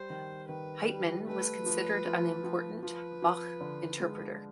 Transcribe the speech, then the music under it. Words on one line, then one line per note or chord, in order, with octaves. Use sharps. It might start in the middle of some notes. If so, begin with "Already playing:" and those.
Heitmann was considered an important Bach interpreter.
Already playing: G3 C5
D#3
D#3 B4
G3
A3 B4
F3
F3
F3
F3 B4
F3
D3
G#3